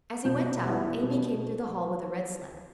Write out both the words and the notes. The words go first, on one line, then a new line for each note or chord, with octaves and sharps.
As he went out Amy came through the hall with a red sled.
B2 G6
G3 B3 E4
B2